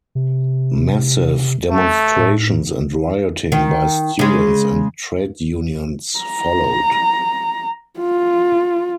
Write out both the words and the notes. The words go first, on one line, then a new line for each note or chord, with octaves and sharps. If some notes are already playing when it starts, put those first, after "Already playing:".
Massive demonstrations and rioting by students and trade unions followed.
C3
A3
A2
D#3
C#3 G#3
A#5
F4